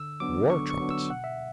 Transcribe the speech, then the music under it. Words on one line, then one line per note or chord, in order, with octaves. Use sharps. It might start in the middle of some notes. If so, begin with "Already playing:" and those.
War trumpets!
Already playing: D3 E6
F#3 B3 D4 D6
D3 C#6
C#6
F#3 B3 D4
E6
B2 F#5
E5